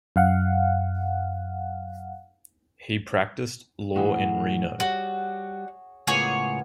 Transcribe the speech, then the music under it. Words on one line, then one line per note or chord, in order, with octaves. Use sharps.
He practiced law in Reno.
F#2 F5 F#5
A2 E3 F#4 G#4
G3 F#4 C#5
C#2 A2 A#3 B3 F4 G#4 C#5 G#5